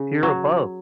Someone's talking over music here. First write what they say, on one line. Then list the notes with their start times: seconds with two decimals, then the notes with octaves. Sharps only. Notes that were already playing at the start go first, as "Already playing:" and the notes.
here above,
Already playing: C#3
0.23 F#3